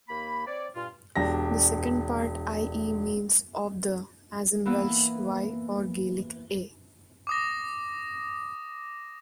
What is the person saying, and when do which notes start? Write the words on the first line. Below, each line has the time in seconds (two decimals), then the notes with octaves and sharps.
The second part "-ie-", means "of the", as in Welsh "y" or Gaelic "a"'.
0.09 D#2 A#3 B5
0.47 C4 C#5 D5
0.75 G2 A#2 F4
1.16 E1 D4 G4 A#6
4.65 E3 A#3 B3 E4 B4
7.27 D6 D#6 A#6